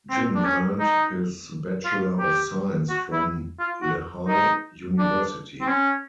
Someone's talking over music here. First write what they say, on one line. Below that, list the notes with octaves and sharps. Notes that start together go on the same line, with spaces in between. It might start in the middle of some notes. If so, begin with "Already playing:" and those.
Jim earned his Bachelor of Science from Lehigh University.
C4
D4
C#4
D#4
F4
G4
F#4
E4
F4
F#4
D#4
D4
C4
C#4